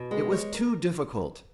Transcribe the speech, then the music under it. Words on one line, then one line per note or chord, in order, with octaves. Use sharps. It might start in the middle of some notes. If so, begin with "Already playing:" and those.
It was too difficult!
Already playing: B2
G#3
C#5
A#4